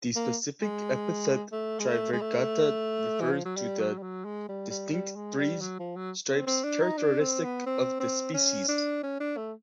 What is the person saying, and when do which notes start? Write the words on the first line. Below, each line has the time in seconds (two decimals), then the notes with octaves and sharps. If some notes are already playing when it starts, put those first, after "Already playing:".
The specific epithet "trivirgata" refers to the distinct three stripes characteristic of the species.
0.16 A#3
0.61 G#3
1.52 A3
1.79 G#3
1.87 A3
2.13 G#3
2.21 A3
3.21 E3
3.32 F3
3.45 F#3
3.56 G3
3.80 F#3
3.98 G3
4.03 F#3
4.25 G#3
4.49 G3
4.70 G3
4.93 G3
5.16 G#3
5.38 G3
5.61 F#3
5.79 F3
5.96 F#3
6.29 C4
6.47 C4
6.64 D4
6.81 D#4
6.98 D4
7.20 C4
7.44 B3
7.66 C4
8.00 C4
8.34 C#4
8.69 D4
9.03 C#4
9.20 D4
9.37 A3